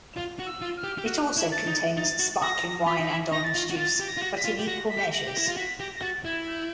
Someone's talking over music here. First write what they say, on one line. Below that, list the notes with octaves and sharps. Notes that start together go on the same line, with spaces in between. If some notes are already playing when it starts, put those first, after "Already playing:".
It also contains sparkling wine and orange juice, but in equal measures.
F4
F#4
E6
F4
F6
G4
G4
F#4 F#6
E4
A6
D#4
D#4 A6
F#4
F#4 A#6
F4 B6
D#4
E4
D#4 A#6
A6
F4 A#6
F#4
F4 A6
G4
A#6
F4
F#4
B6
F4
G4
F#4 A#6
B6
G4
A#6
G4
E4 A#6
F4
F#4 B6
G4 A#6
A#6
F#4 A6
E4 G#6
G6